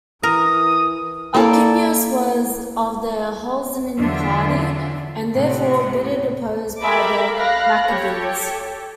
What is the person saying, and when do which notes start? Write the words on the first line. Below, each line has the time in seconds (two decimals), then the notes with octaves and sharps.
Alcimus was of the Hellenizing party, and therefore bitterly opposed by the Maccabees.
0.23 E3 A#4 D#6
1.34 A#3 E4 A4 D5
3.99 E2 D3 F#3 D4 F4 E5
5.33 A2 C3 B3 C4
6.82 G4 A4 A#4 E5 B5 D6
7.35 F5 B5 F#6 A#6
7.86 G4 A4 C#5